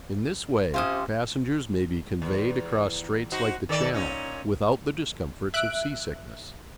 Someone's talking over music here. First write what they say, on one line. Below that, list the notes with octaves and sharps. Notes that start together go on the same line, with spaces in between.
In this way passengers may be conveyed across straits like the Channel without the discomforts of sea-sickness.
C3 C#4 F4 C5 D#6
E2
D#4 F#4 C5
D#3 A4 D5
A#2 C#4 D#4
E5 F#6 D7